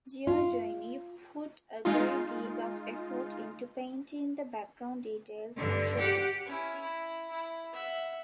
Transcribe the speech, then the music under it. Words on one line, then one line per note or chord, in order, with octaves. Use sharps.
Giorgione put a great deal of effort into painting the background details and shadows.
F4
G#3 D#4 F4
G2 D3
G4 F#5
C#4 E4
E4
E4
E5 F#5